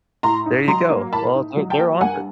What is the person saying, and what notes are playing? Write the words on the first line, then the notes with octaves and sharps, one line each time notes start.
There you go. Well, they're they're on it.
A2 A#5 C6
D#4
F#3 A#5 C6
A#3
A2 A5 B5
D#4
F#3
G5 A5
A#3
G2 F#5 G#5